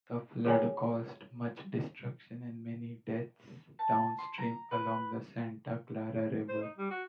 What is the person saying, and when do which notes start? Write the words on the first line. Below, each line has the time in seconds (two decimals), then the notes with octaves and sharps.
The flood caused much destruction and many deaths downstream along the Santa Clara River.
0.45 F4 G#4 C#5 G5 G#5 A#5
3.79 A5
4.18 C6
4.38 A#5
4.71 B4
6.49 C5
6.62 D#4
6.77 G3
6.91 F#4